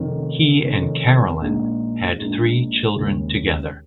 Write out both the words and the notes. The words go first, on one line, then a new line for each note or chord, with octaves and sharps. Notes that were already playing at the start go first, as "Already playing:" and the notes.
He and Carolyn had three children together.
Already playing: F1 F2 D#3 C#4
F1 F2 D#3 C#4
A#1 A#2 G#3 D#4
A#1 A#2 G#3 D#4
D#2 C#3 G#3 C#4 G#4